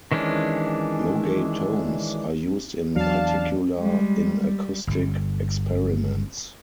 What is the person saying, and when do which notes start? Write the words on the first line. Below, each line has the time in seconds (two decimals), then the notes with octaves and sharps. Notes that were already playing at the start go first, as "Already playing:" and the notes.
Logatomes are used in particular in acoustic experiments.
0.12 D#3 E3 G#3 C#4 D4
2.96 E2 F#3 D4 F5 A5
3.77 G3 G#3
4.40 G3
4.87 G1 G2